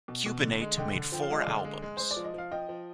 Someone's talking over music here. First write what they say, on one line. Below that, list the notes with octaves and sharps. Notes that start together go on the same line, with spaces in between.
Cubanate made four albums.
B2
B2
D3
G#3
D3 D#5 G5
D3
F3 G5
F5
G#3 D#5
D3 D5 F5
G#3
G#3
G#3 C5
D5
F3
D#5
F3 F5
F3 D#5 G5
F3